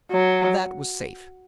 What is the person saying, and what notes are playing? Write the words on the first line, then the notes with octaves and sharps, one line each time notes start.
That was safe.
F#3